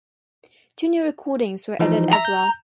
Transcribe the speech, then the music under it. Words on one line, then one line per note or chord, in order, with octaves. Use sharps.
Two new recordings were added as well.
E3 F3 D#4
E5 A#5
G6